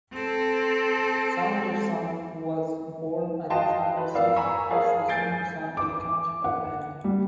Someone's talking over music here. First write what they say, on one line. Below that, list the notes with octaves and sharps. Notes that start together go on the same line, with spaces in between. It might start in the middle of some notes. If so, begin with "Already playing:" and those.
Saunderson was born at the family seat of Castle Saunderson in County Cavan.
C4 A4
F#4 D#5 F5 G5 A5 C6
B4
G#1 A#4 D5 F5 E6
G#5 A#5 B5 C#6 E6
G#4 A#4 F5 A5
G#5 G6 A6 C7 D7
D6
F#5
G3